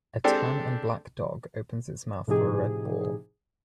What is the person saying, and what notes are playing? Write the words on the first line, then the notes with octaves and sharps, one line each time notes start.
A tan and black dog opens its mouth for a red ball.
G#3 C4 D4 G4 A4
A2 C3 F3 D#4 G4 G#4